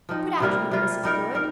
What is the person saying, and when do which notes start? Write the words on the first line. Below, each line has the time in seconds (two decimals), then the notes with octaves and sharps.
Good afternoon, Mrs. Blewett.
0.09 F3 C4 D#4
0.40 C3 G3 A#3 F4
0.71 C3 G3 A#3 F4
1.03 G3 D#4 A#4
1.35 D#4 A#4